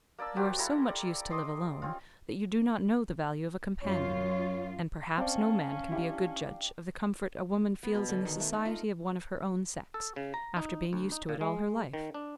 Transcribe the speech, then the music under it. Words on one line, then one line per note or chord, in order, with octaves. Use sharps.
You are so much used to live alone, that you do not know the value of a companion; and, perhaps no man can be a good judge of the comfort a woman feels in the society of one of her own sex, after being used to it all her life.
A#3 D5 A5 E6
F#3 C4 G4 F5
A#3 E4 A4 A#5
D5
D#5 C6 D6
C4 C#4 F4
F#2 F4 C#5
C4 C#4 D5 F5 G5 A5
D4 E4 G4
B3
B2
D3
D#3
A3
D#4
F4
A4
C#3
A#5
D#4
D2
D#4
A#2
G#3
D#3
D4